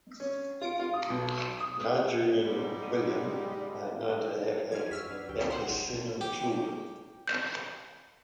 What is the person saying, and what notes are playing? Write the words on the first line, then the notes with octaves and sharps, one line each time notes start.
Marjory and William are known to have had at least seven children.
C#4
F4
F4
D#6
B1
D#6
G#2 G3
F3 F6 G#6
F#2 F4 F#4 G#4 E6 F6 B6
F#3 D4 B4
D2 F#4 G4 G5
C#3 C5 F#5 C6
A1 G3
G4
G6